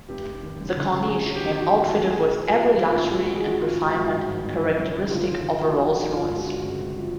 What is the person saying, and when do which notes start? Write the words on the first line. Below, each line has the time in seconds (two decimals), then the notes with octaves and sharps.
The Corniche came outfitted with every luxury and refinement characteristic of a Rolls-Royce.
0.09 F1 G4
0.25 F1
0.43 D#2
0.59 F#2
0.77 D3
0.93 F#1
1.09 F#3 G#4
1.26 F#3
1.35 G4
1.43 E2
1.60 D#3 F#4
1.72 G4
1.77 A1
1.85 F#4
1.93 A1 A4
2.10 A2 G#4
2.27 B1
2.44 F3
2.61 G#2 G4
2.77 D#3
2.85 F4
2.94 A1
3.10 G#3 F4
3.23 F#4
3.28 F3
3.35 G#4
3.44 F3 F#4
3.61 G#1 F4
3.78 G#2
3.87 F#4
3.94 G#1
4.11 G1
4.27 F2
4.45 F2
4.61 C#3
4.78 F#2
4.95 E3
5.11 D2 F4
5.29 D#3
5.46 D#3
5.62 F3 F#4
5.79 F2
5.96 F2
6.12 G1 F4
6.29 G#3
6.37 F#4
6.46 G1
6.63 C#2
6.79 C3
6.96 F3